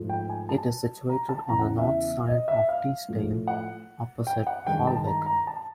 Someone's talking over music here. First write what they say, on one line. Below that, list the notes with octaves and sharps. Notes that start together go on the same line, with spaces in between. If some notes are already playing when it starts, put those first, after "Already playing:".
It is situated on the north side of Teesdale, opposite Holwick.
Already playing: G#2 F3 A3
G5
G#5
A5
A#5
A5
E2 C#3 E3 A#5
F#5
E5
D#5
E5
F5
A2 F3 A3
F#5
G5
F#5
G2 D#3 G#3 G5
A5
A#5
A#5
A5